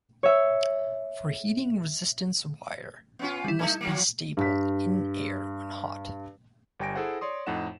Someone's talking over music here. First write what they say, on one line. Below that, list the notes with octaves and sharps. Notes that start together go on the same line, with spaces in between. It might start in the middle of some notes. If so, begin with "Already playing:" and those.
For heating, resistance wire must be stable in air when hot.
C#5 E5
B3 C#4 F4
G3 E4
A3 D#4 G#6
F3 F#3 A#3 C#7
G2 B6
G1 G3 G5 G#5 A#6 D7
E4 G#4 A4 C5 F#5
C#5 D5 C6 D#6
F2 A2 D#4 F#5 E7